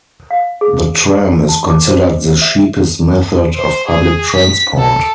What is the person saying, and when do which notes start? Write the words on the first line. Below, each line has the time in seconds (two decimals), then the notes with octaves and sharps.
The tram is considered the cheapest method of public transport.
0.31 F5
0.61 G#4
1.49 A5
1.70 D6
1.87 C5
2.42 E5
3.56 C5
3.88 G#4
4.35 B6
4.77 A4